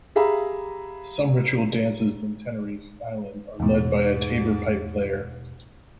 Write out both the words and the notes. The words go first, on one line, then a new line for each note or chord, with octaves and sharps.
Some ritual dances in Tenerife island are led by a tabor pipe player.
G4 G#4 E5 F5 A#5 B5
E2 G#2 B2